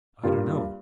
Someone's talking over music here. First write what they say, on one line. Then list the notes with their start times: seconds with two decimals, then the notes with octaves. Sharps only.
"I don't know."
0.24 G2 G3 A#3 F4